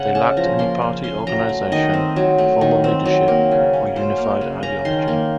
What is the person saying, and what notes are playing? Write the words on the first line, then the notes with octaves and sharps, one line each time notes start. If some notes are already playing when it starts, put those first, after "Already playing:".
They lacked any party organisation, formal leadership, or unified ideology.
Already playing: C#3 F#5
C#4 A5
F3 A#5
A#3 C6
C#3
C#4 C6
F#3 A#5
A3
D#3 D#5
C4
F#3
A3
D#3
C4
F#3
A#3
C#3
C#4
F#3 C5
A#3 F5
C#3
C#4 A#5
D#3 C6
A#3